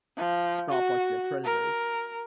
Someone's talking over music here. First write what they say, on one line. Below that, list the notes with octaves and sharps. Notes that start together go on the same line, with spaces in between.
drop, like, their predators.
F3
F#4
A#4